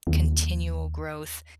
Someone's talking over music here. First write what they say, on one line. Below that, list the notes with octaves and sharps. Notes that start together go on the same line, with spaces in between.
continual growth,
D#2